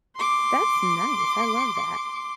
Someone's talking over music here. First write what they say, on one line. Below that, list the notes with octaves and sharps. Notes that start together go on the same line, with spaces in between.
That's nice, I love that.
C6 D6